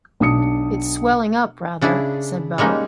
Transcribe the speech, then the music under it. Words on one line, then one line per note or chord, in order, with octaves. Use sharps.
"It's swelling up rather," said Beau.
B1 D4 D#6 C#7
C#3 D4 E4 G#4
G3 G#3 A#3 C#4 D#4